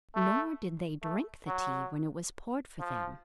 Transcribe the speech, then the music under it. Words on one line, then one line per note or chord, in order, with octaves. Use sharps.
Nor did they drink the tea when it was poured for them.
A3
A3
F#3
F3